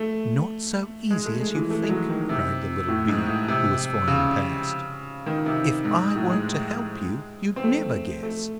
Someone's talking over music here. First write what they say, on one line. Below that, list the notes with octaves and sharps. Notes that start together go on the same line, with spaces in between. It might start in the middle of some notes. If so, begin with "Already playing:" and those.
'Not so easy as you think,' cried the little bee, who was flying past. 'If I weren't to help you, you'd never guess.
Already playing: A3
G#3
A3
G#3
E3
A3
G#3
F#3
D#3
C3
A2
G#2
A2
C3
C#3
D#3
C3
G#2
A2
G#3
C4
A3
A3